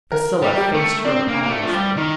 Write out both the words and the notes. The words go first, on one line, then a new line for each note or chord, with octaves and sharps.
Priscilla faced her ominously.
A#4
G3
G4
A3
C4 D4
A#3
A#3
A3
F3
G3
D#3 D#4